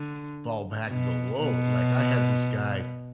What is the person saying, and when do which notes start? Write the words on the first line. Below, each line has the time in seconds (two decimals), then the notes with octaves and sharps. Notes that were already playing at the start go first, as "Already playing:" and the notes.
fall back and go, "Woah." Like, I had this guy,
Already playing: D3
0.88 B2
1.41 B2